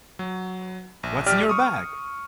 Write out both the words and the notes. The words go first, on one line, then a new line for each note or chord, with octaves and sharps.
What’s in your bag?
F#3
A#1
A#1 G4 D5 F6
C#6 D#6